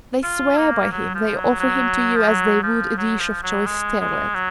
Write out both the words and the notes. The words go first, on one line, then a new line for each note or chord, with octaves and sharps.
They swear by him, they offer him to you as they would a dish of choice sterlet.
F4
A#3
F#3
F3
F#3
F#3
F3
F#3
F3
F#3
F3
F#3
G#3
G#3
F#3